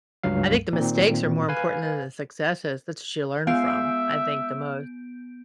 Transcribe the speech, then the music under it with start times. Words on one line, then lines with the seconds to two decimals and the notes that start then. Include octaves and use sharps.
I think the mistakes are more important than the successes, that's ya learn from, I think, the most
0.23 C#2 G2 F#3 F5
0.73 A#2 D#3 C4
1.49 B4 F5 G#5
3.47 G#3 B3 E5 F5 G6 D7